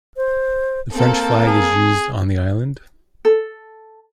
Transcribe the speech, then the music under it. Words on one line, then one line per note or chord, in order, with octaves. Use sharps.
The French flag is used on the island.
C5
A#3 C4 A4 A5
G#4
A4